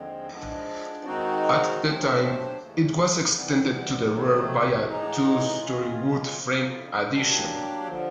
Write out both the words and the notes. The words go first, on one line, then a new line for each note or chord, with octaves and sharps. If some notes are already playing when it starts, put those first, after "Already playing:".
At that time, it was extended to the rear by a two-story wood-frame addition.
Already playing: D#2 D3 F3 G#3 C4
F3 G#3 B3 D4
D#3 G#3 C4 D#4 F#4
F#3 A3 D4 G4 C5
D#2 C#3 E3 A3
C3 E3 G3 B3
C3 D#3 F#3 A3
A2 E3 G#3 B3 D#4
D#2 D#3 G#3 C#4 F4
F2 C#3 F3
F#3 A#3 D4 G4
D3 F3